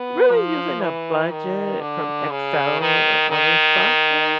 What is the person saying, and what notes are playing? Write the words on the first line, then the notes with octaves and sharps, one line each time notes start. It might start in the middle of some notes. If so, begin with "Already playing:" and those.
really using a budget from Excel or other software,
Already playing: B3
F3
E3
D#3
D3
C#3
D#3
D#3